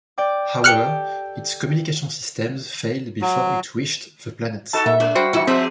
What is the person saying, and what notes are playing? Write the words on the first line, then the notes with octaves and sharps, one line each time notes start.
However, its communications systems failed before it reached the planet.
D5 G5 D6
G4 A4 G5 F6 F#6 C#7
F#3
D#4 F#4 A4 A5
A#2 E5
G#3 D4
G3 F#4 C5 G5
G#2 E3 D#4 E4 C#7
F3 G#3 C4 C5 E5 F#5